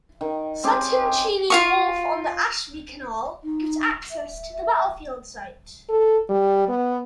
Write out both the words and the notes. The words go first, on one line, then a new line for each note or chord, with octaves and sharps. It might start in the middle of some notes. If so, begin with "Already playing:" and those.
Sutton Cheney Wharf on the Ashby Canal gives access to the battlefield site.
D#3
C4 C#4 G4 G#4
F4 F5 C#6
D#4
E5
A4
G3
B3